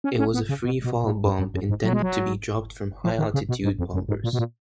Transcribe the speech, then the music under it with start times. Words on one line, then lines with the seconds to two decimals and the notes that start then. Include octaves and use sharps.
It was a free-fall bomb intended to be dropped from high-altitude bombers.
0.04 C#4
0.19 C#4
0.34 B3
0.49 C#3
0.64 B2
0.84 B2
1.04 A#2
1.24 F#2
1.39 F#2
1.54 F#2
1.69 G#2
1.84 F#3
1.93 G#3
2.02 F#3
3.04 F3
3.19 D#3
3.34 C#3
3.49 B2
3.64 G#2
3.79 F2
3.94 F#2
4.08 G#2
4.24 A#2
4.33 B2
4.39 A#2